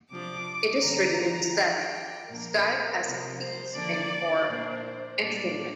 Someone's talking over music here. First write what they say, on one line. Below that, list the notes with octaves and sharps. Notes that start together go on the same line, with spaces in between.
It is written in Salon style as a piece meant for entertainment.
C3 F3 D4 D6
D3 G3 C4 A#5
F3 D4 G5
A#2 F3 A#3 D4 A#4
C3 F3 C4
C5
D3 F3 A#3 D4 D5
A#2 A#3 D4 C5
A#2 G3 A#3 D4 D5